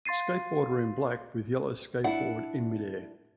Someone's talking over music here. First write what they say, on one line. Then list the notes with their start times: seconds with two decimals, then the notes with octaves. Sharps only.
Skateboarder in black with yellow skateboard in midair.
0.05 F5 C6 A6 C7 D#7
2.04 D4 E4 F#5